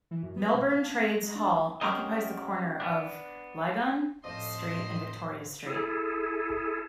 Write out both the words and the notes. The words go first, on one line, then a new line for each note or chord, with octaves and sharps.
Melbourne Trades Hall occupies the corner of Lygon Street and Victoria Street.
E3
F#2
B3
B2
F5
A5
C4
A#6
G#3
D4
B3 C#4 G4 A#4 C5 D#5
B3 D4
F2 A2 F3 C5 D5 D#5 C6
E4 G#4 A4